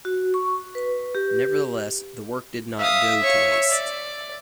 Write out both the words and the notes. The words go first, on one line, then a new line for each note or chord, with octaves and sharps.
Nevertheless the work did not go to waste.
F#4
C#6
B4
G4
E5 F5 D#6
C#5 C#6
D5